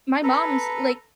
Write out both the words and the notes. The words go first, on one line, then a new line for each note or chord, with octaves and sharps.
my mom's, like,
A4 B4 A#5